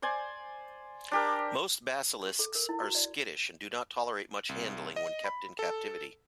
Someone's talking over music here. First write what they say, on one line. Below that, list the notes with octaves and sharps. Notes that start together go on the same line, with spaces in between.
Most basilisks are skittish, and do not tolerate much handling when kept in captivity.
C5 D5 G#5
D4 G4 A#4
G4
A4
A#4
E4
F#4
D5
C2
D#5
B5
A4